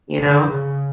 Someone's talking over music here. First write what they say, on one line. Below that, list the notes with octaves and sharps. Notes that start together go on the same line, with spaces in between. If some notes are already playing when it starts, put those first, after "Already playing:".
You know?
D3
C#3